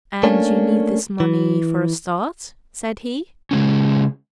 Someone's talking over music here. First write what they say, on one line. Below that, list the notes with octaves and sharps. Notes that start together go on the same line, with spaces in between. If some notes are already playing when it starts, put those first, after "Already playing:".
"And you need this money for a start?" said he.
A3 A#3 C#4 D4
E3
C#3 G#3 A#3 C#4